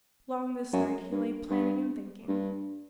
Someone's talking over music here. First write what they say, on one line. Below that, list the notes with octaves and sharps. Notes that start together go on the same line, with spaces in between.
Long this night he lay planning and thinking.
F#2
G2
G2
G2